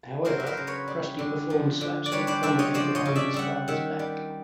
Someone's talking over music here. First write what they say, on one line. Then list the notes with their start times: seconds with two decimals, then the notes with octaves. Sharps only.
However, Krusty performed slapstick comedy behind his father's back.
0.25 F#3 A#4 C5
0.40 B4
0.46 A#4 C5
0.57 C#3
0.67 B4 C#5
0.88 G3
1.19 D3
1.50 F3
1.81 D3
2.06 D5
2.12 G3 B4 C#5
2.27 C5 D5
2.43 D3 D5 E5
2.59 C#5 D#5
2.74 F3 C5 D5
2.95 C#5 D#5
3.05 C#3
3.15 D5 E5
3.34 G3 E5 F#5
3.68 D#3 E5 F#5
3.99 G3